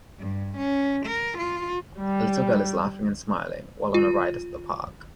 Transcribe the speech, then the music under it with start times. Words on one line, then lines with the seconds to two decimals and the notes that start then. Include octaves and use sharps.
A little girl is laughing and smiling while on a ride at the park.
0.19 G2
0.57 C#4
1.06 A#4
1.38 F4
1.99 G3
3.94 F4